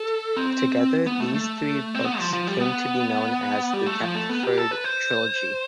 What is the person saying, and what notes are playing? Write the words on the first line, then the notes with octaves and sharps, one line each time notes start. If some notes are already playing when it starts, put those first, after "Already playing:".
Together these three books came to be known as The Deptford Trilogy.
Already playing: A4
C4
B3
A3
A3
C4
B3
F3
F3
G3
B3
G3
A3
F3
A3
B3
G4
A4
B4
C5